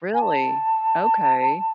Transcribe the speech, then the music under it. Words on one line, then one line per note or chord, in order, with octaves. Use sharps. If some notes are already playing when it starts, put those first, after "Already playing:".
Really? Okay.
G#5
A5